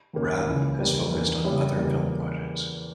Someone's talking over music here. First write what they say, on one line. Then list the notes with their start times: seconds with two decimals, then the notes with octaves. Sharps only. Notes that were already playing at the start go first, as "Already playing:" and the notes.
Raab has focused on other film projects.
0.13 D#2 D#3 A#3 C#4
0.46 C#2 C#3 E3
0.79 E2 C#3 G3 A#3
1.11 E2 D#3 A#3
1.44 C#3 G3 A#3 C#4 E4
1.76 E2 C#3 G3 A#3